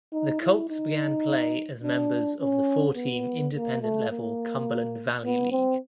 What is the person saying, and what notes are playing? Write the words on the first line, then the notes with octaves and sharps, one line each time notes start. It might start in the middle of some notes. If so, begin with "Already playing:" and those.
The Colts began play as members of the four–team Independent level Cumberland Valley League.
D#4
E4
D#4
D4
C#4
B3
A#3
A3
A#3
B3
C4